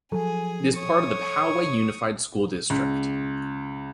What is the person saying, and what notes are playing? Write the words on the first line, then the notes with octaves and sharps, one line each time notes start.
It is part of the Poway Unified School District.
F3 F#3 G#4 A4 G#5
C#5 C#6 D#6
C#2